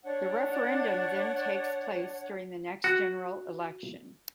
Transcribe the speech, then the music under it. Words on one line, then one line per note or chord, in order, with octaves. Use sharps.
The referendum then takes place during the next general election.
D4 C#5 F#5
F#4